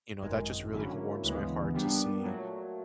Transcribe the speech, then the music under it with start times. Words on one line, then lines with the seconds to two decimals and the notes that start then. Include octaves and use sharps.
you know, that just really h warms my heart to see
0.22 G#1 F#2 D#3 G#3
0.73 D3 F#3 A#3 C#4 E4
1.24 D2 C#3 E3 G#3 B3
1.74 A#2 G3 B3 D4 G4
2.24 A#2 F#3 A3